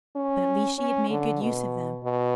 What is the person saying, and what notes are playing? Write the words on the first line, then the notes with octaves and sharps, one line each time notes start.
But at least she had made good use of them.
C#4
C#4
D3
B2
B2